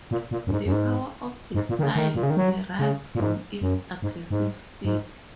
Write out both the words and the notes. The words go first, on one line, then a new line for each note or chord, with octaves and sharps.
The power of the style derives from its aggressive speed.
A#2
A#2
F#2
G#2
F#2
G#2
G#2
A#2
D#3
C#3
D#3
A#2
C#3
D#3
F#3
C#3
A#2
G#2
F#2
G#2
G#2
G#2